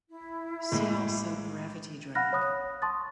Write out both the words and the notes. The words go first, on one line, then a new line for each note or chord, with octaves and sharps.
See also gravity drag.
E4
A2 G#3 A#3
F5 F#5 B5 F6 F#6 A#6
C#5 B5 D#6 F#6
A5 C6 C#6 D#6 A6